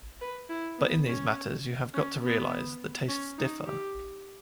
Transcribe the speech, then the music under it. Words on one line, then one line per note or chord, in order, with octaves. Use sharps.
But in these matters you have got to realize that tastes differ.
B4
E4
B3
C#4
C#4
B3
C#4
D#4
G4